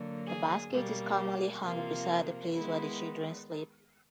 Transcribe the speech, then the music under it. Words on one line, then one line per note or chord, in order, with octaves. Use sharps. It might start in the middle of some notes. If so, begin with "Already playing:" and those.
The basket is commonly hung beside the place where the children sleep.
Already playing: D3 F#3 A#3
G#4
B2 G3 A#3
G4
C3 F3 A#3 F4
D#3 G#3 B3 E4